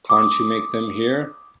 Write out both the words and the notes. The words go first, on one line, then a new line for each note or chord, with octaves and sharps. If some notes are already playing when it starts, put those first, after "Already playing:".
Can't you make them hear?
D6 D#6